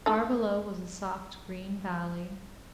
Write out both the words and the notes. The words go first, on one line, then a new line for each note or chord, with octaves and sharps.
Far below was a soft, green valley.
D#4 A4